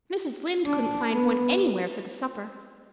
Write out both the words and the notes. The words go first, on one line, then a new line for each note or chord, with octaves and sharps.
Mrs. Lynde couldn't find one anywhere for the supper.
D4
B3